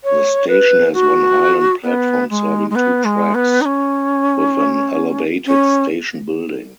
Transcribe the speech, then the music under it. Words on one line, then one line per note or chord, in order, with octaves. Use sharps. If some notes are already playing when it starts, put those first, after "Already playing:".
The station has one island platform serving two tracks, with an elevated station building.
C#5
B4
F#4
B3
G#3
G#3
B3
G#3
B3
D#4
C#4
C#4